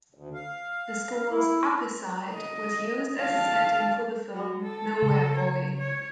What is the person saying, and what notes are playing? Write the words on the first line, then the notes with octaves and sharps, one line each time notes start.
The school's Upper Site was used as a setting for the film "Nowhere Boy".
D2
F5
E4
D#5
F5 A5
F#3 F#4
A4
C#3
C#5
C#5